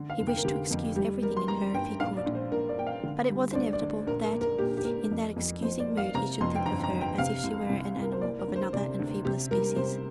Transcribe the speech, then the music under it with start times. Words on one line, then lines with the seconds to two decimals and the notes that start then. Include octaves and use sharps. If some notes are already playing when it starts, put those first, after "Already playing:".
He wished to excuse everything in her if he could--but it was inevitable that in that excusing mood he should think of her as if she were an animal of another and feebler species.
Already playing: D3
0.10 F5
0.19 F1
0.27 G5
0.37 A#4
0.44 D3 G4
0.71 F2
0.96 G3 G4
1.23 G3 A#4
1.37 C6
1.48 G3 A#5
1.74 G2 G5
2.00 A#1 F5
2.17 D5
2.26 A#1
2.35 C5
2.51 A#1 A#4
2.69 D5
2.77 A#2 G5
2.87 F5
3.03 D3
3.29 G3
3.51 C5
3.55 D2 D5
3.73 D5
3.81 D2
4.07 A#1 A#4
4.24 A#4
4.33 A#3
4.41 A#4
4.58 A#2 G4
4.77 G4
4.84 A#3 A#4
5.11 F2
5.36 F2
5.62 F2 C5
5.80 D5
5.88 A#3
5.97 F5
6.14 C3 A#5
6.41 F2 C6
6.55 G5
6.66 G1 A#5
6.84 A#5
6.92 G1
7.01 G5
7.18 C3 F5
7.43 C2
7.69 C2
7.96 C2
8.02 A#4
8.12 C5
8.22 A#3 D5
8.39 A#4
8.48 D2
8.56 C5
8.73 C3 D5
8.99 D2
9.25 C3 G4
9.51 G3 A#4
9.76 C3 C5